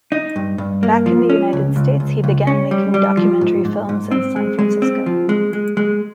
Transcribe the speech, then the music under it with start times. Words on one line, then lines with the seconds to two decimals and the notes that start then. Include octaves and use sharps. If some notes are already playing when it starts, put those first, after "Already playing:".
Back in the United States, he began making documentary films in San Francisco.
0.12 D#4
0.36 G2
0.58 G2
0.83 A#3
1.06 F3
1.30 C#4
1.53 C#2
1.76 C#2
2.00 C#2
2.24 C#2
2.47 C#4
2.71 G3
2.94 G3
3.17 F3
3.41 G#2
3.65 G#2
3.89 G#2
4.11 C4
4.36 G#3
4.59 G#3
4.82 C4
5.06 F3
5.29 G#3
5.53 G#3
5.77 G#3